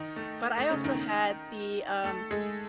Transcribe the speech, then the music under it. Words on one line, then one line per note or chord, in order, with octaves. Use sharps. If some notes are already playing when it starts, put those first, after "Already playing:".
but I also had the, um
Already playing: D#3 D#4
A3
A3
C#3 C#4
D#3 D#4
A3 A4
G#3 G#4